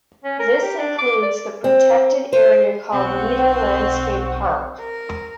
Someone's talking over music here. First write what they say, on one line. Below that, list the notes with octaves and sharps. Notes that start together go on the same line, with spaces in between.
This includes the protected area called Nida Landscape Park.
C#4
A#4
G4
D4
D6
D5
C4
C5
B1 C4 F#5 C#6
A#4